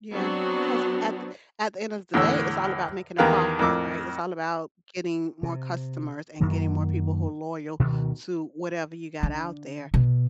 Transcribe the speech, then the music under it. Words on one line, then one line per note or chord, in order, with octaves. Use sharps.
Yeah, 'cause at th at the end of the day, it's all about making a profit, right, it's all about getting more customers, and getting more people who are loyal to whatever you got out there,
F#3 B3 C4 D4 F#4
E2 A2 D3 C#5 E6
E2 D#3 G4 A#4 B4 F5
F2 A2 A#4 D6 E6
C3
F#2 D#3 F#3 A#3
D2 B2 D#3
D3
B2